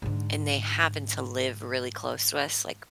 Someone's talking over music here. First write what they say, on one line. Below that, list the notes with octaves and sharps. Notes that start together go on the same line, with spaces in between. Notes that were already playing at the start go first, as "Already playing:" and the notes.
and they happen to live really close to us, like
G#2 D3